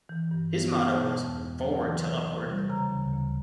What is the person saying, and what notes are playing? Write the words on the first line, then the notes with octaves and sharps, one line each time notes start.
His motto was Forward 'Till Upward.
E3
G2
B3
G#3
B2 A5
E2
E2
F#3
E3
C3
C3
G3
C#3 A#5
D2
D2